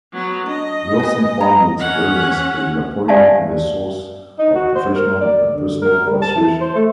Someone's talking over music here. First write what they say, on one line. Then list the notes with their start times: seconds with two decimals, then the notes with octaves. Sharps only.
Wilson found the experience a disappointment and a source of professional and personal frustration.
0.13 F#3 B3
0.46 D4 D#5
1.00 B4 G#5
1.40 C#5 A#5 B5
1.80 C#4 D#5 F#5
3.08 G4 D5 E5 F5 G#5 A5
4.39 D#4
4.55 F#4
4.75 C5
4.95 A#4
5.21 D5
5.53 D3
5.82 A#4
6.06 G3
6.22 A5
6.36 E3
6.61 C5
6.75 A3